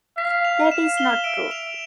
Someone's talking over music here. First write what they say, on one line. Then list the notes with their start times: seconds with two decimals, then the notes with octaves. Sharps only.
That is not true.
0.17 F5 B6
0.45 F7
0.70 F5 E7
0.97 G7
1.24 E5 D7
1.51 F7